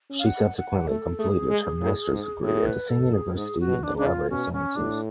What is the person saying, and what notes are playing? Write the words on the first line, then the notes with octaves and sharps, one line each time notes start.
She subsequently completed her Master’s degree at the same university in the library sciences.
C#4
F5
F#5
F#5
A3 A4
A3 G#4
G#3
A2
G#2
A2 G#4
B4
A4
G#4
G#2 G#4
F#4
B2
D4
C#3 D4
F4
B2 C#4
C#4
A2 D4